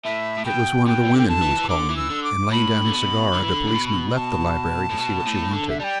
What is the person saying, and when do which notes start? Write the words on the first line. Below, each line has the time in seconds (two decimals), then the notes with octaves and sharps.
It was one of the women who was calling, and, laying down his cigar, the policeman left the library to see what she wanted.
0.04 A2 E5
0.38 A2
0.45 B2 G5
0.86 B2 G5
1.05 E3
1.14 D3 G5
1.28 A5
1.42 E3
1.59 E3
1.69 D3 D6
1.90 E3
1.96 E6
2.10 D3
2.24 D6
2.51 A2 B5
2.86 D3
2.92 B2
3.34 D3
3.43 E3
3.52 D3
3.67 A2
3.75 B2
4.16 A5
4.90 A2
4.98 B2
5.26 A2
5.53 D3
5.69 E5
5.80 G3 A5
5.84 G5